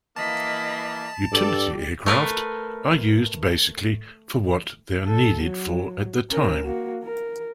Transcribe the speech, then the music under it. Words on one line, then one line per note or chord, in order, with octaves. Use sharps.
Utility aircraft are used basically for what they are needed for at the time.
E3 A#3 D#5 A5 B5
G2 G3 A4 D5
A3 A#4 B4
A4
F#3
C#4 A#4
A#3 F#4
A#4